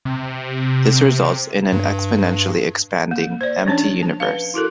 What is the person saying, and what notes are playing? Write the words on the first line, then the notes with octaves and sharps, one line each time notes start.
This results in an exponentially expanding, empty universe.
C3
G2
A#3
C5 D5
F3 C#4 D4 C#5
A5
B4 F5
E4 F#4 A4 A#4